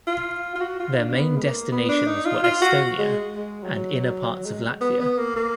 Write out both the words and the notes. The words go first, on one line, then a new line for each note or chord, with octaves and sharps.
Their main destinations were Estonia and inner parts of Latvia.
F4
F4
F#4
F4
D4
D4
B3
G#3
A#3
B3
D4
D#4
F4
F4
F#4
G#3
G#3
F#3
G#3
B3
B3
A#3
A#3